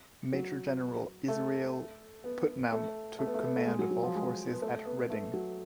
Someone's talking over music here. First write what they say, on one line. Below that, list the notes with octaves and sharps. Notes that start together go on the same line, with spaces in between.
Major General Israel Putnam took command of all forces at Redding.
F#3
A3
B3
A3
A3
B3
A3
B3
A3
G#3
F#3
F#3
F3
G#3
B3
A3
B3
A3
F#3